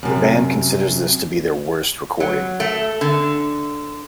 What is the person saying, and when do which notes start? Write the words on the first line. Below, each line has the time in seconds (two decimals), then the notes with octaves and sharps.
The band considers this to be their worst recording.
0.03 F#2 C3
2.20 F#3
2.60 A3
3.01 D3